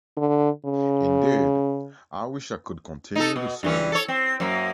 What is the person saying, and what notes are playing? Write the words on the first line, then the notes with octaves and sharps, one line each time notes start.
Indeed, I wish I could continue to serve.
D3
C#3
D#4 A4
B2
G2 E3 C#4
A4 C#5
C4
F#2 A#3